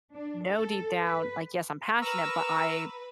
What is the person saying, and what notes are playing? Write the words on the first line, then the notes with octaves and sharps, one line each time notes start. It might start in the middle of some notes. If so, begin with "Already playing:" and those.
know deep down, like, "Yes, I'm passionate, but I
D4
A4
B4
A#4 B4 A#5 C#6 E6 F6